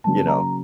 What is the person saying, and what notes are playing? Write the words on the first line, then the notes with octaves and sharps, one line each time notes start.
You know?
C#3 F#3 A#3 A5
A#5